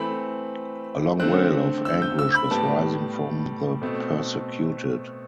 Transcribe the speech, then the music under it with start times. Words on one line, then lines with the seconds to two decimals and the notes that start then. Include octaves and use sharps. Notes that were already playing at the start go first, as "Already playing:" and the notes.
A long wail of anguish was rising from the persecuted.
Already playing: E3 A3 C4 B5
1.20 D3 A3 C4 F#6
1.85 E6
2.02 G6
2.19 E6
2.35 B5
2.51 A2 G3 B3 A5
3.82 B2 A3 C4